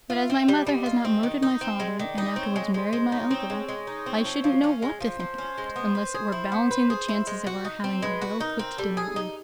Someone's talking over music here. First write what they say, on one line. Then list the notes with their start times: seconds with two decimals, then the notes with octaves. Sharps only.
But as my mother has not murdered my father, and afterwards married my uncle, I shouldn't know what to think about, unless it were balancing the chances of our having a well-cooked dinner or not.
0.10 F4 E5
0.30 C4
0.48 G3 D#5
0.67 G3
0.86 F4
1.05 C4
1.23 D#3
1.43 D#4
1.61 C4
1.80 G#3
1.99 D#3 D5
2.18 D#4
2.36 C4 C#5
2.56 G#3
2.74 G#3 C5
2.93 G#3
3.12 D#4 C#5
3.31 C4
3.50 G#3 C#5
3.68 G#3
3.87 D#4
4.06 C4
4.25 F3
4.44 F3
4.64 C#4
4.82 G#3
5.00 F3 C5
5.20 F3
5.38 C#4
5.58 G#3
5.76 B3
5.95 B4
6.14 G#4
6.32 E4
6.52 B3
6.71 B4
6.90 G#4
7.08 E4
7.27 G#3
7.47 F#4
7.65 D#4
7.84 C4
8.02 G#3 B4
8.22 F#4
8.40 D#4 A#4
8.59 C4
8.78 G3 A4
8.97 G#4
9.16 D#4